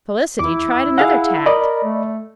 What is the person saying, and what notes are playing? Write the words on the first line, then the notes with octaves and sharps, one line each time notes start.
Felicity tried another tack.
E2 E4 D6
G#4 F5 F#5
A#4 D5 D#5 B5
A3